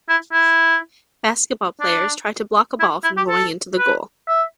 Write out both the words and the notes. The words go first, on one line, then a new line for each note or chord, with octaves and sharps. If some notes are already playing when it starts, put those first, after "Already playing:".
Basketball players try to block a ball from going into the goal.
E4
E4
D4
E4
E4
G4
A4
B4
E5